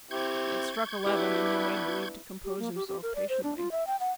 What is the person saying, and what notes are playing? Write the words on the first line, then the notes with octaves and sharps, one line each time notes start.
It struck eleven, and he made believe to compose himself patiently.
C4 E4 G4 C#6 G6 G#6
B3 D4 E4 G4 B4
G4
A#3
G4
G4
A#4
D5
C5
D4
F4
E5
G5
F#5